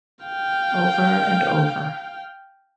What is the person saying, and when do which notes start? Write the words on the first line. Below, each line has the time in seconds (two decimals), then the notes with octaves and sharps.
Over and over.
0.25 F5 G5